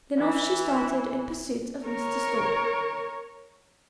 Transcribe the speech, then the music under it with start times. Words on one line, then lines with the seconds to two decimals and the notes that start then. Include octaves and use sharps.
Then off she started in pursuit of Mr. Stork.
0.19 E3
1.86 A#4 C#5